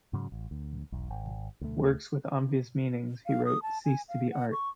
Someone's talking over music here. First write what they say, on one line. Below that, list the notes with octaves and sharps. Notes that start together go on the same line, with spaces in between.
Works with obvious meanings, he wrote, cease to be art.
G#2 C#3 F#3
A1
D2
E1 B1
G#1
D2 A3
F5
D#6
A5
G#5
F5
F#5
C#6